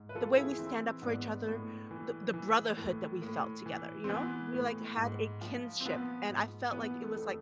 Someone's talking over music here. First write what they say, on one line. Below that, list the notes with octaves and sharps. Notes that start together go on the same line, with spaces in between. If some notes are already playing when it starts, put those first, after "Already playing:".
The way we stand up for each other, the the brotherhood that we felt together, you know? We, like, had a kinship, and I felt like it was, like,
Already playing: G#2
B4
E3 F4 A4
E4 G#4
E3 C4 E4
G#2 B3 D4
A2
E3
E3
A2
A2
E3
C4
E3 B3
A2
G#2
F3
C4
F3 B3
G#2
E3 B3
A3
F2